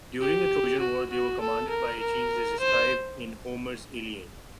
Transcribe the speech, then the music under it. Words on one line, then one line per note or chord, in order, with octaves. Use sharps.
During the Trojan War, they were commanded by Achilles, as described in Homer's "Iliad".
G4
F#4
F#4
A4
A#4
A#4
C5